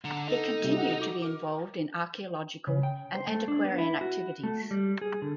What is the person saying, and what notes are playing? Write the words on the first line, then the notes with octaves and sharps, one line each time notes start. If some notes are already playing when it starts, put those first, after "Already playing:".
He continued to be involved in archeological and antiquarian activities.
D3 A#5
D#4 A4
C3 G3 A#3
G4 F#5
F#4 D6
A#4 D6
C#3
G5
C5
A3
D4
B3
E4
F#4
A3
G3
G#4
D3